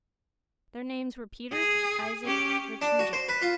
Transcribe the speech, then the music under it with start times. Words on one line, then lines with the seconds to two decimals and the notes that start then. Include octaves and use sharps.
Their names were Peter, Isaac, Rich, and Jake.
1.52 G#4
2.24 C#4 G4
2.82 D4
2.99 F#4
3.13 C5
3.29 B4
3.42 F4